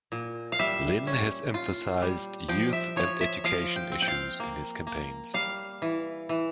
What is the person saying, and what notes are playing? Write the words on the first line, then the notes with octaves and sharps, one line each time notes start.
Lin has emphasized youth and education issues in his campaigns.
A#2
F5
G3 E5
C#4
F4
G3
F3 G5
E5
F3 C#5
E5
F3 F5
G5
C4
G5
F5
A#3
A#3
G3 F5
E3
E3